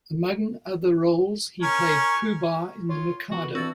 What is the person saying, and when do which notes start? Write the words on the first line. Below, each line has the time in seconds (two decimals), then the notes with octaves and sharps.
Among other roles, he played Pooh-Bah in "The Mikado".
1.62 C#4 A#4 C#5
2.89 F4 C#5
3.31 E3 B3 F#4
3.55 E3 C4 D4 E4 F#4 E6 A6